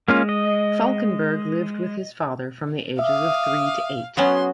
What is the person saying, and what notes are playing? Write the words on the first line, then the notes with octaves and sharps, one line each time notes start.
Falkinburg lived with his father from the ages of three to eight.
G#3 A#3 C#4 F4
D#5
E5 F5 D6 D#6
F#3 B3 C#4 F#4 G#4 C6